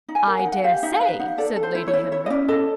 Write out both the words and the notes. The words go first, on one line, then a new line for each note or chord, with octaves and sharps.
"I dare say," said Lady Henry.
D#4
G#5
A#4
F#5
D#4
F#5
G4 F5
D#4 E5
B4 F5
D#4 F#5
A4 D5
A4
C5
E4
C#5
E4
E4 C#5
D#5
C#4 D5
A4 D#5